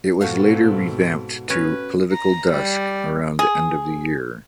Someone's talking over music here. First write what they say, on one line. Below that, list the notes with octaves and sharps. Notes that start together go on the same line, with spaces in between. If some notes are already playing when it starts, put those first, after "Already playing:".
It was later revamped to "Political Desk" around the end of the year.
G#2 B2 F#4 A4 F5
C4
C#4 B4
A#5
G3
G#4